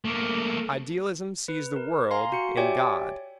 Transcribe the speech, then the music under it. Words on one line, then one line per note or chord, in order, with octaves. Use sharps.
Idealism sees the world in God.
A3 A#3
B4
A#4
F5 G#5 A#5 C6
F#4 C#7
G4 C#5 D5 E5 G5 G#5